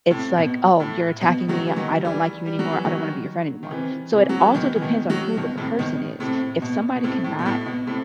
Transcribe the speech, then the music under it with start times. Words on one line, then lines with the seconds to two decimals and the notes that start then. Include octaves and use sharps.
It's like, "Oh, you're attacking me. I don't like you anymore. I don't wanna be your friend anymore." So, it also depends on who the person is. If somebody cannot
0.11 A2 C3
0.38 B2
0.80 A2
1.21 B2
1.48 D#3 F#3
1.67 E3
1.76 D#3 F#3
2.05 E3 G3
2.46 G3
2.59 F#3
2.72 E3
2.84 D#3 F#3
3.63 D#3
3.71 C3 E3
4.12 C3 E3
4.29 F#3
4.42 E3
4.55 B2 D#3
4.76 E3
4.82 B2 D#3
5.10 D#3 F#3
5.37 B2 D#3
5.57 A2 C3
5.79 B2 D#3
6.20 A2 C3
6.62 B2
6.95 B2
7.03 A2 C3
7.24 A2
7.39 B2
7.46 A2
7.66 B2
7.87 A2 C3